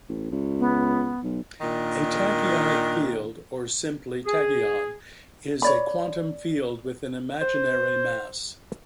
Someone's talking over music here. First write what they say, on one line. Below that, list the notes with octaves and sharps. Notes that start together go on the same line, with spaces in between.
A tachyonic field, or simply tachyon, is a quantum field with an imaginary mass.
A1
C#2
B3
B1
A#2 D#3 D4
G#4
C#5 D5 B5
C5